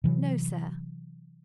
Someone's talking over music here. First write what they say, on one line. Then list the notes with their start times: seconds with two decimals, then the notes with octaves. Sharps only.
"No, sir."
0.04 C3 E3 F#3